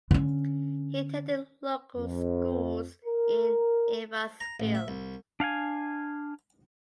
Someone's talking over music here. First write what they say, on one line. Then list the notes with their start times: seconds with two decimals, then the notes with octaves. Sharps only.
He attended local schools in Evansville.
0.11 D3 C#4
1.97 F2
3.05 A#4
4.40 A#5
4.60 A1
4.75 E5
4.88 C2
5.40 D4 F5 F#5 G#5